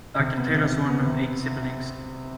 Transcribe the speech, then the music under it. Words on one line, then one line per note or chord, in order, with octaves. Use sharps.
Doctor Taylor was one of eight siblings.
C3
B3
C3
C3
B3
C3